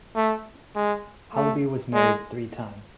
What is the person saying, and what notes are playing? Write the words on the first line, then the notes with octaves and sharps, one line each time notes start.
Halaby was married three times.
A3
G#3
A3
G#3